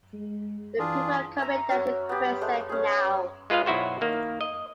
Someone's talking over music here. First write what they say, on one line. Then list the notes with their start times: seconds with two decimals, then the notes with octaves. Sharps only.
The people are coming down the crescent now.
0.13 G#3
0.79 E3 D4 F4 G#4
1.39 E5 A#5
1.69 C#4 F#4
2.09 B3 G4
2.41 G#3 A3
2.69 C#4 G#4
3.50 G#3 F4 B4 D#5 F5
3.66 B1 E4 F#4 C5
4.01 D#3 A#3
4.41 D#5